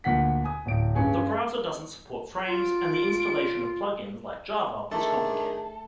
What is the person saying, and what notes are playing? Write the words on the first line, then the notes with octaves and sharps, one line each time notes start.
The browser doesn't support Frames and the installation of plugins like Java was complicated.
D2 A#2 F#5 B6
G#5 D#6
D1 D7
G2 C#4 G#4
F4 D7
D#3 A3 D4 G#4 A4